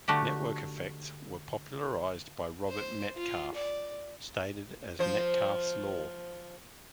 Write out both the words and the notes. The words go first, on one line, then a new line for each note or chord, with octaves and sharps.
Network effects were popularized by Robert Metcalfe, stated as Metcalfe's law.
D3 A3 F#4 G4
C5
F4
D5
F3 C5